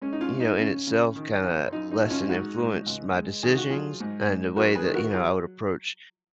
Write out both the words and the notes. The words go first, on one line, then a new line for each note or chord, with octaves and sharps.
you know, in itself kinda less than influenced my decisions, and the way that, you know, I would approach,
G#3 C#4
D#4
C#4 F4
G#2
D#4
C#3 C#4
C#3
D#3
F2
F#2 D#4
D#4
G#1
C#4 F4
G#3 D#4 F#4
G#2
C#2
G#3
D#3 G#4
F#4
F#3 F4 G#4
G#2
G#2
F#2 F#4 A#4
G#4 B4
D#3
F#4 A#4
F#3 F4 G#4